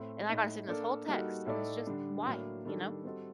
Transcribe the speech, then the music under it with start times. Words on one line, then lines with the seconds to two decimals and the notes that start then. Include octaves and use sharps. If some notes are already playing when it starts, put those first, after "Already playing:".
and I gotta send this whole text, and it's just, "Why?" You know?
Already playing: A2 A3 C4
0.29 A2 A3 D#4
0.68 A#3 D4 A4 D5
1.08 G3 A#3 D#4 F#4 A4
1.46 A2 A3 D#4 A4 D5
1.86 D3 G3 D4
2.25 A2 F#3 A#3 D4
2.65 D#3 G3 D4 A4
3.04 G3 C4 F#4 A4 D#5